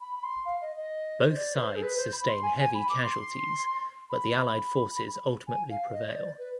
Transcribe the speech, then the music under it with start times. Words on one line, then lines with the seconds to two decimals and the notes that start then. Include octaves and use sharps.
Both sides sustain heavy casualties but the Allied forces ultimately prevail.
0.01 B5
0.16 B5
0.23 C6
0.45 F5
0.61 D#5
0.77 D#5
1.24 C5
1.36 D5
1.55 B4
1.59 C5
1.76 G#4
1.83 B4
1.97 C5
2.12 B5
2.28 C6
2.43 G#5
2.59 G#5
2.74 B5
2.89 D6
3.04 C6
4.10 B5
4.33 B5
5.47 G#5
5.70 F5
5.93 D#5
6.10 C5
6.15 D5
6.38 B4